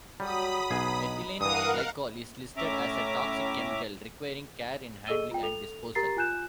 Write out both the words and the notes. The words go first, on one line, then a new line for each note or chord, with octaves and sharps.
Ethylene glycol is listed as a toxic chemical requiring care in handling and disposal.
F#3 G3 G#4 A4 B5 D#6
B1 D4 D#4 G#4 B4
G2 E3 A#4 F5 F#5 D#6
A2 C#4 E5 A#5 D6
G#4 A4 D#5 E6 D#7 G7
F4 G5
A4 F7
G4 A#4 A#5 A6 C7
F4 G#5 F#6 G6 E7